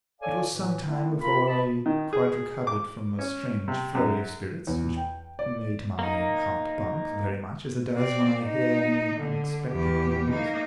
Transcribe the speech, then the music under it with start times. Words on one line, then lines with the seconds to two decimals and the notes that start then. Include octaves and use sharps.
It was some time before I quite recovered from a strange flurry of spirits, which made my heart bump very much as it does when I hear any unexpected good news.
0.20 A4 C#5 D5 F5 G#5
0.51 A2 E3
0.87 A3 C4 E4
1.20 F4 A#4 B5
1.47 D#5 A5 B5
1.86 D#3
2.13 G#4
2.67 D6
3.19 C#4
3.68 C3
3.95 F#2
4.67 E2
4.96 G5
5.39 D5
5.99 A#3 D#4
7.96 C4 D5
8.45 D#4
9.19 D3
9.70 E2 G4
10.30 A#3 D#4